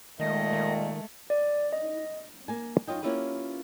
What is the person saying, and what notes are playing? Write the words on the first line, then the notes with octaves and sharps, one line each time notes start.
Pant mostly wrote in Sanskritized Hindi.
A#2 D#3 G#3 A3 D#5
D#3
D5
D#5
A#3 G#5
F#2 F4 C#5 D#5 G5
A#3 C#4 E4 F4 G4 B4